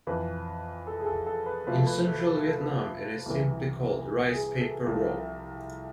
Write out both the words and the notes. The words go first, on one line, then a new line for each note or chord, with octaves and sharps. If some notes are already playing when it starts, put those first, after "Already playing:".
In central Vietnam, it is simply called "rice paper" roll.
F2 E3 B4
A4
G#4
A4
A4
B4
D2 C3 F3 B4
A4
B4
A4
A4
A4
C2 C3 E3
G#4
A4
C2 C3 F3 A4